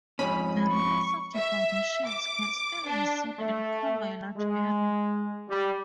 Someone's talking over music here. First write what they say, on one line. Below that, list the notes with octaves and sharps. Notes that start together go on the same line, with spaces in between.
The remains of the foundations can still be seen and cover a large area.
F2 G#2 C#4 B5
C#6
E5
D6
D4
A3
G#3
G3